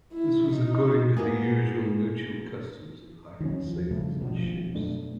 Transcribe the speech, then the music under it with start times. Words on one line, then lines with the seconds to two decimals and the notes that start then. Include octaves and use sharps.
This was according to the usual mutual customs of hiring sailors and ships.
0.13 E4
0.53 D#4
1.17 A#3 B3 G#4
3.41 D#3 F#3 A#3 C#4
3.63 E2 F3
3.91 G2 C#3 F3 A3
4.20 A1 G2 B2 F3
4.40 D#1 F3
4.75 F#2 B2 A3 D4